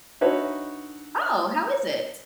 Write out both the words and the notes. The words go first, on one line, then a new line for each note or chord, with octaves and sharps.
Oh, how is it?
D4 D#4 F#4 B4 C#5 E5